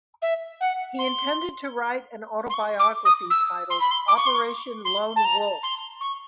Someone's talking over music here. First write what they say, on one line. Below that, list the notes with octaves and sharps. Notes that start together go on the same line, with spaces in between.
He intended to write an autobiography titled: Operation Lone Wolf.
E5
F#5
C6
C6
C#6
D6
D#6
E6
C6
B5
C6
D6
C#6
C6
C#6
C6
A5
A#5
C6
C#6